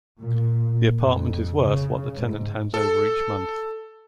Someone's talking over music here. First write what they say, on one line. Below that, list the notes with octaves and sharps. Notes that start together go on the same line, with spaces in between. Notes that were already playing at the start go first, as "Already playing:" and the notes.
The apartment is worth what the tenant hands over each month.
A#2
F2
C#3
G#2
A4